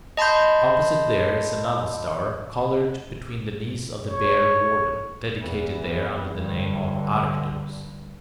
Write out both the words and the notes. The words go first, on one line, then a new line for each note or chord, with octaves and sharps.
Opposite there is another star, coloured, between the knees of the Bear Warden, dedicated there under the name of Arcturus.
D#5 A5 B5 C6 G6
C#5
E2
G2 D3